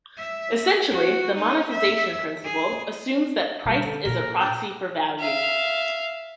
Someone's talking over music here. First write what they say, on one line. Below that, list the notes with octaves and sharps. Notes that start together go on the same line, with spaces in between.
Essentially, the monestisation principle assumes that price is a proxy for value.
E5
F#4
D#4
E5
G#4
B2 D3 G3
A4
A#2 A#4
D4 G5
E5 F5